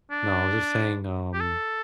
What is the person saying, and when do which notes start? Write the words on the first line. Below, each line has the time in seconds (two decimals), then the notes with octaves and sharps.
No, I was just saying, um,
0.11 D4
1.34 G4
1.40 A4